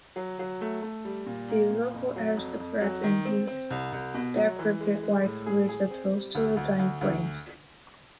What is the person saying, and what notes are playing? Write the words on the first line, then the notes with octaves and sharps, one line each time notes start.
The local aristocrat and his decrepit wife raise a toast to the dying flames.
F#3
F#3
A3
A3
G3
A#2
A#3
A#2
F2
F#3
F2
F2
F#3
D#3
C4
C4
C2
C2
B2
F#3
E3
G#3
G#3
A2
G#4
G#4
C4
G3
D2
D2
D2
D2